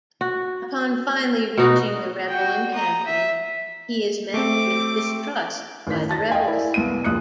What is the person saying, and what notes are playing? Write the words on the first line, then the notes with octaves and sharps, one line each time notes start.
Upon finally reaching the rebel encampment he is met with distrust by the rebels.
F#4
B2 D#4 F#4
F#4 G5
A#5 D#6
E5
A3 C4 D6
A1 D#3 B6
A5 A6 A#6
D#5 F5 G5 G#5
E4 A#4 D5
C2 B3 D#7
D#1 A#1 D#6 F#6 C#7